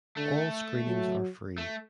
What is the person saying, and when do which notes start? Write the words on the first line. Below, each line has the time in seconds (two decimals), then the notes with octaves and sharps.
All screenings are free.
0.17 D3 A3
0.87 F#3
1.58 A3